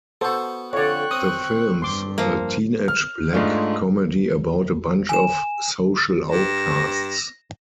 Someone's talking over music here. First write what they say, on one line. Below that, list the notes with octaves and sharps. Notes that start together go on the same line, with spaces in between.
The film's a teenage black comedy about a bunch of social outcasts.
B3 F#4 A4 C5
F2 D3 C#5 D5 G5 C#6 F#6
C4 D#6
G2 C6 D6
F3 A#3
F6
G#2 G#3 A3 D4 F4
G#5 E7
G2 A#6 E7